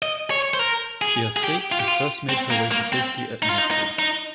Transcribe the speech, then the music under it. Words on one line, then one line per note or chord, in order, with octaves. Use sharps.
She escaped and first made her way to safety at Niddry.
D#5
C#5
C5
A#4
G#4
G#4
G4
F4
G4
F4
C4
A#3
A#3
C4
D#4
F4
D#4
D#4
D#4